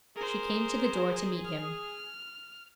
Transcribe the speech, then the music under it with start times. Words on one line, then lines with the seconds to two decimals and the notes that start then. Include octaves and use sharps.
She came to the door to meet him.
0.16 G#4 A#4 C5
1.45 F6